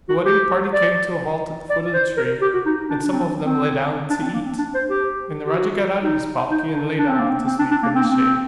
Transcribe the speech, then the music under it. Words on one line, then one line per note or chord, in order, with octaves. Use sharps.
The wedding party came to a halt at the foot of the tree and some of them lay down to eat and the Raja got out of his palki and lay down to sleep in the shade.
F#4
G4
D5
D5
C5
A#4
G4
F#4
D#4
D4
D4
C4
C4
D4
C4
A#3
C4
D4
C5
G4
G4
F#4
D#4
D#4
D#4
D4
D4
C4
A#3
C4
C4
D4
D4
A#3
C4
A#3
C4